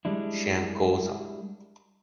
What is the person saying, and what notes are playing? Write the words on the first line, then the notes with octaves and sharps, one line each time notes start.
Chen Guozhan.
G3 G#3 D4 E4